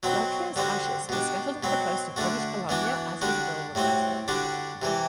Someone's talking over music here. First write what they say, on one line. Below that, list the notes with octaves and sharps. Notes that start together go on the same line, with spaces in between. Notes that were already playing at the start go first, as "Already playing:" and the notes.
LaPierre's ashes were scattered off the coast of British Columbia, as his will requested.
B2 F#3 C4 F#4
D3 G3 C4 F#4
B2 G3 D4
B2 F#3 C4
D3 A3 D4 F#4
E3 B3 D4 F#4
D3 G3 D4 F#4
A2 G3 C4 F#4
D3 G3 D4 F#4
C3 E3 G3